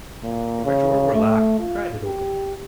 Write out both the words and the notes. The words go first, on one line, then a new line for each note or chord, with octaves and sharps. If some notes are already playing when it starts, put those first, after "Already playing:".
If a drawer were locked, he pried it open.
A#2
C#3
A3
F4
G4